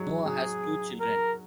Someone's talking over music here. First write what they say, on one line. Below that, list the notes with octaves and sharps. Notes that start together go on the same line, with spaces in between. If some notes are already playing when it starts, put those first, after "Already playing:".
Noah has two children.
Already playing: F#3 G#3
F#3 G#4
A#4